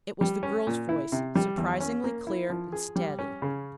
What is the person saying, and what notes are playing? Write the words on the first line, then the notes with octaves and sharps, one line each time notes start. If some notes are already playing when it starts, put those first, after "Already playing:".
It was the girl's voice, surprisingly clear and steady.
G3
C#4
A#2
E4
C3
G3
E2
C#4
A#3
E4
F3
G#4
G3
C#4
C#3